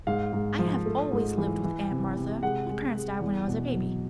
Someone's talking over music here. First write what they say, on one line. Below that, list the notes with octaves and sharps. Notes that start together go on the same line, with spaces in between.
I have always lived with Aunt Martha--my parents died when I was a baby.
G#2 F5
G#2
F3
A3
G#2
E3
E3
C3
C3
G#3 F#5
G#3
G#3
E2
B2
F#3